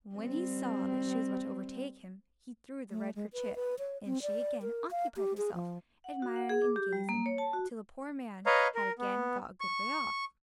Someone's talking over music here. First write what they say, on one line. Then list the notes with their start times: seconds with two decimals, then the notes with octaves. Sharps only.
When he saw that she was about to overtake him, he threw the red kerchief, and she again occupied herself, admiring and gazing, till the poor man had again got a good way off.
0.15 G3 C4
2.90 A3
3.16 G#3
3.33 B4
3.56 B4
3.79 C#5
4.06 C4
4.22 D5
4.62 A#4
4.91 F5
5.17 G4
5.37 G#4
5.54 F3
6.04 F#5
6.22 F#4
6.36 F#5
6.49 G#4
6.62 D6
6.76 G4
6.93 G3
7.09 A#3
7.26 C#5
7.38 A5
7.53 F#4
8.46 B4 C#5 D#5 F5 A#5
8.75 A#4
8.99 B3
9.60 C#6